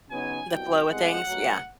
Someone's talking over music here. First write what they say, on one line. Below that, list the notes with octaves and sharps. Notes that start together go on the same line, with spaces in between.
The flow of things, yeah.
C#3 F#3 B3 D#4 G#5
C2 B2 F#3 G5
C2 B2 G#3 C4 F#5
B2 F#3 A3